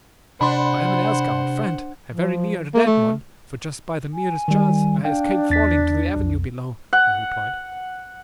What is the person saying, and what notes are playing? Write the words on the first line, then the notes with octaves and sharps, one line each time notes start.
"I am an air scout, friend, and very near a dead one, for just by the merest chance I escaped falling to the avenue below," I replied.
C3 D4 C5 F#5 B5 C6
F3
A#3
A3
G#5
D#3 G3
D4 F5 G5
E2 A6 B6
B1 F2
F#5